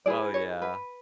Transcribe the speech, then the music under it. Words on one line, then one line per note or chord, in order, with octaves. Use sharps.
Oh, yeah.
E4 G#4 B4 D5
C#5
B4